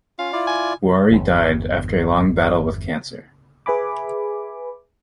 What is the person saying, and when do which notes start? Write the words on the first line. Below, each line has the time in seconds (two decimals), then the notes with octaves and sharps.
Wuori died after a long battle with cancer.
0.19 C#4 F4 F5
0.33 E4 F4 D5
0.47 G#5
1.11 G1 E2
3.66 G#4 B4 E5 G#5 B5 D6